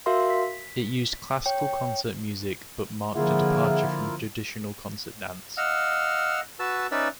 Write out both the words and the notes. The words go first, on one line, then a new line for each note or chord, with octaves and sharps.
It used classical concert music but marked a departure from traditional concert dance.
F#4 A#4 E5 F5 C6
B6
C#5 G5
D3 F3 A#3 E4 F4 G#4 E5 F#5
D#5 F5 F#5 E6 F6
F#4 B4 A5 E6
C#4 D#4 B4 D5 E5 E6